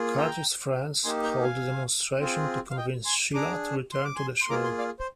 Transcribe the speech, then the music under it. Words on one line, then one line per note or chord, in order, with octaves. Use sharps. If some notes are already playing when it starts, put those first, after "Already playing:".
Curtis' friends hold a demonstration to convince Sheila to return to the show.
Already playing: A#3 F4 G#4
G5 A#5
A#3 D#4 G4 G#5 C6
G5 A#5
F5 G#5
C4 F4 G#4
F5
D#5 G5
G#5 C6
D4 G#4 A#5 D6
C6
D6
G#5 C6
C6
A#3 F4 G#4 A#5 D6
G#5 C6
D5 F5
C5